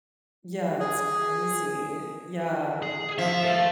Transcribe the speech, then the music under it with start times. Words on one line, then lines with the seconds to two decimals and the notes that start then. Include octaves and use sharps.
Yeah, it's crazy. Yeah,
0.80 G#4
2.83 G#4
3.19 F3 E5
3.44 A4 E5